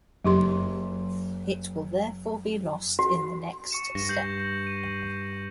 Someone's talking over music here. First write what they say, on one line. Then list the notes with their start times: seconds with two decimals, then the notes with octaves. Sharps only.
It will therefore be lost in the next step.
0.25 F#1 F#3 G4 C6
2.99 F#4
3.71 C#6 C#7 E7
3.95 G2 A#6 E7
4.09 G6 C7 F#7
4.67 D#7